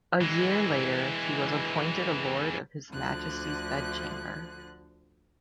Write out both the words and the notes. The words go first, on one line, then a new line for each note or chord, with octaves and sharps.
A year later, he was appointed a lord of His Majesty's bedchamber.
E3 G#3
D2 D3 F3 F#6